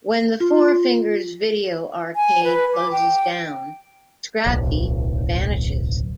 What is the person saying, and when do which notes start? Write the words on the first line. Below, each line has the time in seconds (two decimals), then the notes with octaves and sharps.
When the Four Fingers Video Arcade closes down, Scrappy vanishes.
0.40 F4
2.16 G#5
2.44 B4
2.75 D6
2.92 G5
4.46 D1 B1